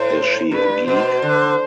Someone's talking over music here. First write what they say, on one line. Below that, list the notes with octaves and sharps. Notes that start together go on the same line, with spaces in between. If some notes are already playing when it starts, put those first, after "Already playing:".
Is she a geek?
Already playing: A2 C5
G2 B4
B2 C5
D3